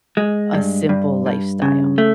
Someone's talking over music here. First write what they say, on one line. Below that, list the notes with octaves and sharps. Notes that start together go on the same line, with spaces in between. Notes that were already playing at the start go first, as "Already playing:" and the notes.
a simple lifestyle.
G#3
G2
G2
G2
C#3
A3